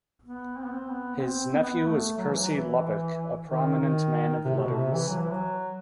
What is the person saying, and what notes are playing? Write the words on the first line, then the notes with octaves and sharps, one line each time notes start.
His nephew was Percy Lubbock, a prominent man of letters.
B3
C4
B3
C4
B3
B3
C4
B3
A3
F#3
E3
F#3
E3
D#3
D#3
C3
C3
B2
C3
E3
F#3
E3
F#3